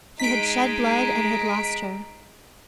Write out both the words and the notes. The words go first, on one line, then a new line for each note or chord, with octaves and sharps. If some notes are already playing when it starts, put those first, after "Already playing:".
He had shed blood and had lost her.
G#3 D#4 B6 D7